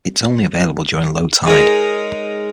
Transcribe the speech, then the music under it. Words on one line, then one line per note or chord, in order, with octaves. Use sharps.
It is only available during low tide.
G#3 D#4 G#4 A#4 C#5 D#5